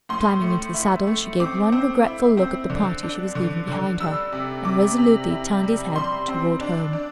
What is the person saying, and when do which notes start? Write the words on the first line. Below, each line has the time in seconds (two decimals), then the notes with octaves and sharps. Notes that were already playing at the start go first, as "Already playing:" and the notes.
Climbing into the saddle, she gave one regretful look at the party she was leaving behind her, and resolutely turned his head toward home.
0.09 A2 C6
0.42 A3
0.74 E4
1.07 A3
1.40 C4 D6
1.72 C4
2.05 E4
2.37 C4
2.70 D3
3.03 D4
3.35 D3
3.68 D3
4.00 G3 E6
4.32 C3
4.65 C3 D6
4.98 C3
5.31 E4
5.63 G3
5.96 G3 C6
6.28 C4
6.61 D4
6.93 D4